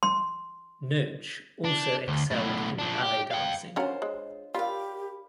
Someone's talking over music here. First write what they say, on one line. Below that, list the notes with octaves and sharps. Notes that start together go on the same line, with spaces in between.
Noach also excelled in ballet dancing.
C6
D4
D2
B1 A2
F3 D4
G4
F5 G5
C#4 D4 F4 F#4 A#4 C5 C#5
G#3
F4 G4 A#4 D5 F5 B5